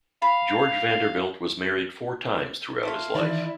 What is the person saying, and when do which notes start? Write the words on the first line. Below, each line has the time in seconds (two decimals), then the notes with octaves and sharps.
George Vanderbilt was married four times throughout his life.
0.22 F5 B5
2.83 A3 A#3 F4
3.15 D#3 E3 E4 D5